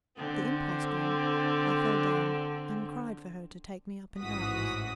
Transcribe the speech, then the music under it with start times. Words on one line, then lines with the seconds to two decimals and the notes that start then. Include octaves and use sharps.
The impulse gone, I fell down and cried for her to take me up in her arms.
0.17 D3 C4
4.19 A1 G#2 E3 F#4 D#6 B6